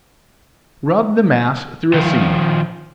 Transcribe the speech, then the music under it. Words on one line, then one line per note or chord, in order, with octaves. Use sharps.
Rub the mass through a sieve.
D#3 F3